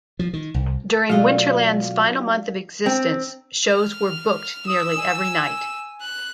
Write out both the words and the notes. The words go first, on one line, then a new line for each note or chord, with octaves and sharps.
During Winterland's final month of existence, shows were booked nearly every night.
F3
D#3
C2
B2 F#3 A3 D4 F4 D#5 F5
C4
F6
D#6 E6
G#5
F#6